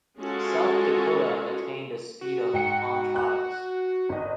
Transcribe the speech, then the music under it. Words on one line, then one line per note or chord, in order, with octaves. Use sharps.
"South Dakota" attained a speed of on trials.
G#3 C#4 F4 F#4 G#4 A4
F#4
G#2 G5 C#7
F#6
G#1 D#5